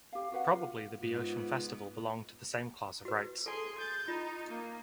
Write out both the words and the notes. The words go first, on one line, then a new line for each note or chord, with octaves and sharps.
Probably the Boeotian festival belonged to the same class of rites.
G4 F5
F#4 B4 F5 F#5
F4
G#2 B3 F4
F#4 B4
G#4 A4 G#5 C6
G6 A6
D#4 F4 B5
A#3